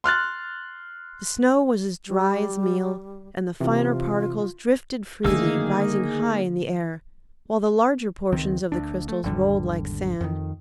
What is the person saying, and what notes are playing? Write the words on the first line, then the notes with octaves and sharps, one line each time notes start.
The snow was as dry as meal, and the finer particles drifted freely, rising high in the air, while the larger portions of the crystals rolled like sand.
C6 F6 F#6 A6
G3
C3 E3 F4
D3 D#3 A3 A#3 D#4 G#4 E6
C#2 D#3 C4
D2 D4
A3
G#1 E2 D3 G3
F2 D#3